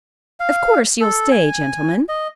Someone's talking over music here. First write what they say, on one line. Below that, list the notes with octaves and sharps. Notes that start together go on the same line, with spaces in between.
Of course you'll stay, gentlemen?
F5
A4
G#5
D#5